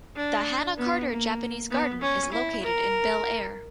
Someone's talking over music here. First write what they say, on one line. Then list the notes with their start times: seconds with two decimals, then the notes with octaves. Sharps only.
The Hannah Carter Japanese Garden is located in Bel Air.
0.17 D4
0.78 B3
1.10 A#3
1.70 B3
2.02 C#4
2.32 E4
2.64 A#4